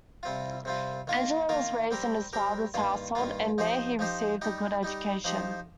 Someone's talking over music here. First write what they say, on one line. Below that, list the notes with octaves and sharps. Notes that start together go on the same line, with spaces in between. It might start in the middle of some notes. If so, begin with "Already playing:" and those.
Angelo was raised in his father's household and there he received a good education.
C3 G3 C4 F4
C3 G3 C4 F4
D#3 A#3 F4 A#4
D#3 A#3 F4 A#4
G3 C4 G4 A#4
G3 C4 G4 A#4
G2 D#3 A#3 F4
G2 D#3 A#3 F4
F3 D#4 G4 C5
F3 D#4 G4 C5
G3 D#4 G4
G3 D#4 G4
F3 D#4 G4 C5